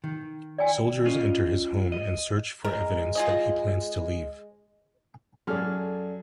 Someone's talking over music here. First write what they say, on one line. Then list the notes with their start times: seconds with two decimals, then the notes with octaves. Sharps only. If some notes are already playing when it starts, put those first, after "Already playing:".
Soldiers enter his home and search for evidence that he plans to leave.
0.04 D#3
0.58 D5 G5 G#5
1.05 C#4 F4 D#5
1.92 D#5
2.65 G#3 A#4
3.15 F4 G#4 D#5
5.47 F#2 G#4 A4 D5 F6